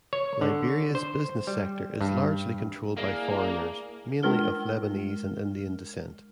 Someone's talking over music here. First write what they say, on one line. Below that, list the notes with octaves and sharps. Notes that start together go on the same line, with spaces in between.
Liberia's business sector is largely controlled by foreigners mainly of Lebanese and Indian descent.
C#5
D3
C5
G3
G2
A#3 D4 E4 G#4
G#3 D4 A#4 F6 G7